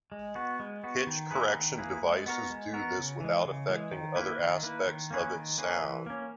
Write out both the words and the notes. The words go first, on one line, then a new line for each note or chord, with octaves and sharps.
Pitch correction devices do this without affecting other aspects of its sound.
G#3
B3 F#4
G#3
B3 F#4
D#3
A#3 E4 G#4 B4
D#3
A#3 E4 G#4 B4
G#3
B3 F#4 A#4
G#3
B3 F#4 A#4
C#3
E3 G#3
C#3
E3 G#3
D#3
A#3 E4 B4
D#3
A#3 E4 B4
D#3
A#3 C#4 G#4 B4
D#3
A#3 C#4 G#4 B4
E3
A#3 C#4